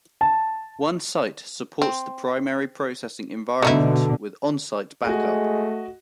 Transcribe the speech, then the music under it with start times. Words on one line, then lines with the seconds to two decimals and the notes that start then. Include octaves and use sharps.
One site supports the primary processing environment with on-site backup.
0.21 A5
1.82 C4
3.62 B2 D3 A3 D#4 E4
5.05 G#3 A3 F#4 D#5